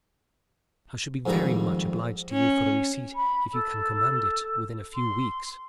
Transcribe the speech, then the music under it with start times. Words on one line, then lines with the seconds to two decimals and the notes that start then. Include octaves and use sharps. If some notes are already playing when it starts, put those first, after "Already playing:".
I should be very much obliged to you for the receipt, if you can command it within a few weeks.'
1.26 F2 G#2 D#3 G3 A#5
2.32 C#4
3.15 B5
3.53 A4
4.94 C6